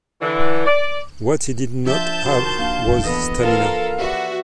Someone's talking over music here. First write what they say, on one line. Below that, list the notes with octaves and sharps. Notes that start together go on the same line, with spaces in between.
What he did not have was stamina.
D3 E3
D5
F3 D4 F4 E5 A5 G6
D#3 F#4 C6
A#3 D4 F5
E3 B3 A4 B4 D#5
A#3 F4 A4 A#4 F5
F#4 G4 B4 D5 E5